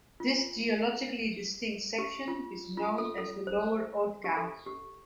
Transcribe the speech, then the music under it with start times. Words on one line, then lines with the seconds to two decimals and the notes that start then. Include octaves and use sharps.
This geologically distinct section is known as the lower Oatka.
0.20 F4
1.98 G4
2.28 F4
2.77 F4
2.98 A4
3.18 A4
3.47 C5
4.24 G4
4.37 A4
4.67 G4